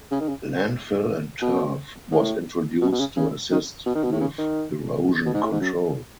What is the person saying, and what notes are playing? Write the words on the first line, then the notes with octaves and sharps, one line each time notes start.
Landfill and turf was introduced to assist with erosion control.
C#3
D#3
C#3
B2
A2
B2
B2
C#3
C#3
D#3
B2
D#3
B2
A2
C#3
D#3
B2
G#2
A2
G#2
F#2